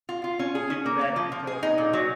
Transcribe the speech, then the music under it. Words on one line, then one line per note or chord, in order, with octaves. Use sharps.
you get the back details and you're like,
F4
F4
C#4
G#4
C#4
A#3
A#3
F3
F3
G#4
D#4
A#2
F#3